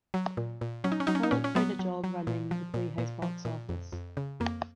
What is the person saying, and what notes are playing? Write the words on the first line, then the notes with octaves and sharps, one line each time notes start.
Pollock found a job running the Playhouse Box Office.
F#3
A#2
A#2
F#3 C#4
D#4
C#4
F#3 D#4
C#4
D#4
A#2 C#4
C#4
F#3 B3
F#3
F#3
A#2
F3
A#2
A#2
F3
A#2
F2
F2
C#3
F2 A#3